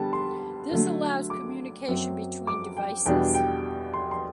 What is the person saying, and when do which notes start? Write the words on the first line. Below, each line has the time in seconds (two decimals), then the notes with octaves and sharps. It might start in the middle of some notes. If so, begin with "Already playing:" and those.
This allows communication between devices.
Already playing: D3 G3 B3 A5
0.13 C6
0.71 D3 F#3 A3
1.30 D6
1.88 F#2 F#3 C4
2.47 D6
2.77 G5
3.06 E2 B2 G3 D4 G5
3.34 G5
3.94 C6
4.11 C6